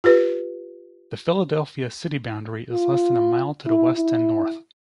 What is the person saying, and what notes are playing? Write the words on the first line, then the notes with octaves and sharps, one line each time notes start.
The Philadelphia city boundary is less than a mile to the west and north.
F4 G4 B4
F4
E4
E4